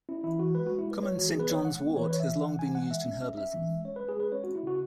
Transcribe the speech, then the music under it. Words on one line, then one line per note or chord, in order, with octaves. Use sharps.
Common Saint John's-wort has long been used in herbalism.
C#4 E4
E3 E4
E3 F#4
G#3 B4
G#3 F#4
E4
G#3 B4
G#3 C#5
E3 F#4
G#4
B3
B4
E3 C#5
G#3 F#5
B3
E3 C#5
B4
E3 C#5
E5
E3
E3 F#5
E3 G#5
G#3 F#5
G#3 E5
C#4
C#4
C#4 E5
E3
G#3
C#4 C#5
G#3 B4
G#4
G#3 B4
C#4 C#5
C#4 F#4
E4
C#3 F#4